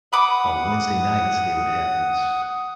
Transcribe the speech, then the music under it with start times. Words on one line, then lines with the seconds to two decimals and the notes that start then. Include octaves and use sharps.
On Wednesday nights, they would have these
0.13 F#5 B5 D6 D#6